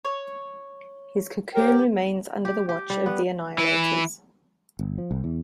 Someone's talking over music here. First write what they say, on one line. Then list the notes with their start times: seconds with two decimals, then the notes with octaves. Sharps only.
His cocoon remains under the watch of the Annihilators.
0.05 C#5
1.55 G4 A#4 C5 C#5 G5
2.45 G4
2.69 G4
2.90 G3
3.06 B3
3.58 E3 E4
4.79 G1
4.98 F3
5.11 C2
5.24 E2